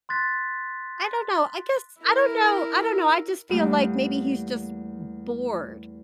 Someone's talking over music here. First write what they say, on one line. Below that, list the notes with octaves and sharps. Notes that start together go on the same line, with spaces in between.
I don't know, I guess I don't know. I don't know, I just feel, like, maybe he's just b bored,
C6 F#6 A6 B6
E4 A#4
E2 G3 A3 A#3 G4 D#6